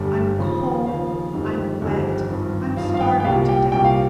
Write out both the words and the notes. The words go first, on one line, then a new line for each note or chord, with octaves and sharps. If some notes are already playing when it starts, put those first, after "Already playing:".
I'm cold, I'm wet, I'm starving to death.
Already playing: G1 G2 G3
D#2 C#3 F3
D#2 C#3 F3 F5
G1 F2 D#3 G3
G1 F2 D#3 G3
G#1 G2 F3
G#1 G2 F3 F5
F5
G5
G5
C2 A#2 G3 F5
G5
C2 A#2 G3 G5
F5